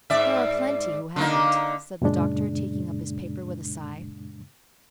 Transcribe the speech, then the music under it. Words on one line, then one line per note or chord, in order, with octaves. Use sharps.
"There are plenty who haven't," said the doctor, taking up his paper with a sigh.
G#2 D5 E5
D3 A#3 D#4
F#2 A#2 C#3 G#3 D4